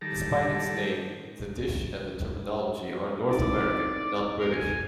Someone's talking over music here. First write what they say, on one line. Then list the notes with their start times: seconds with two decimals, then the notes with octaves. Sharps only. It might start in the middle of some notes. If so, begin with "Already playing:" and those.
Despite its name, the dish and the terminology are North American, not British.
0.01 D#3 G3 A4 A#5
3.30 C4 D#4 E4 D5
4.39 A#4
4.54 G#5